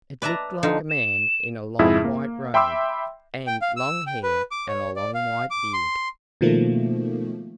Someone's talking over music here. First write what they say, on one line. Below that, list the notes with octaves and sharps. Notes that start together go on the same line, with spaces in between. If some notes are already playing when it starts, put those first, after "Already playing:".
It looked like a man in a long white robe and long hair and a long white beard.
B4 D5 E5 A5 A#5
D3 F3 D#4
E7
F2 G#2 E4 F4 G#4 E5
A#3
E5 G5 B5 C6 D6 E6
G5
F5
E6
G5
B4
D6
C#5
D5
F5
D6
C6
B2 D#3 F3 A3 A#3